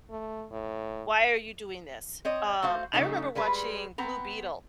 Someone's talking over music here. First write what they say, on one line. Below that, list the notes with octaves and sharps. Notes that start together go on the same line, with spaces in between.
Why are you doing this? Um, I remember watching Blue Beetle,
A3
A2
C4 C#5 D#5
A3 F#4 C5 F5
C#3 F#3 G#3 A3 C#4 D#4
G3 G#3 G#4 B4
B3 C4 A#5